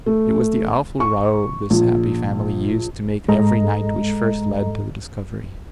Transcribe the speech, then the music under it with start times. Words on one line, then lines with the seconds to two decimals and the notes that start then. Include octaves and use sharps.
It was the awful row this happy family used to make every night which first led to the discovery.
0.06 A3
1.00 C#6
1.70 A#1
3.28 G#2 G#3 A4 D#5 A#5